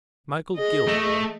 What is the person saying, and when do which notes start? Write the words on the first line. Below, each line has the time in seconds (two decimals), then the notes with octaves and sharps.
"Michael Gilroy?"
0.57 G#4 D#5
0.87 A3